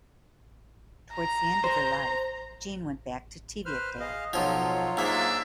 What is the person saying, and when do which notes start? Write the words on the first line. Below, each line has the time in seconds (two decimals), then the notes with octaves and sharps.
Towards the end of her life, Jean went back to Teviotdale.
1.14 A#5
1.64 C5
3.66 B4 C5 F6
4.00 G#4 D#5 F5
4.33 B1 F3 F#3 F4 C#5
4.97 G#2 A#3 D4 E5